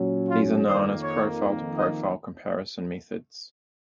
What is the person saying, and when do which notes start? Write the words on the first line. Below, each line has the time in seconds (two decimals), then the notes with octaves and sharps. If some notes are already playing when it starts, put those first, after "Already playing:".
These are known as profile-profile comparison methods.
Already playing: A#2 F#3 C#4
0.28 F4
0.66 F2 D#3 A#3 C5
1.03 C#5
1.77 D#5